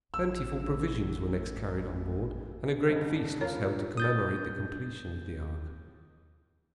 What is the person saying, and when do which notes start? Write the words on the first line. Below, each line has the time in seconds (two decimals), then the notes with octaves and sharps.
Plentiful provisions were next carried on board and a great feast was held to commemorate the completion of the ark.
0.14 A1 E6
2.88 C2 G2 C#3 C5 D#5
3.16 D4
3.41 F4 A#4 C#5 F5
3.97 D#6 G6 A6